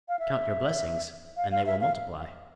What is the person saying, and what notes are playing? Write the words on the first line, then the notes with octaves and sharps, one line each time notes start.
"Count your blessings" and they will multiply.
F5
E5
F5
F5
E5
F5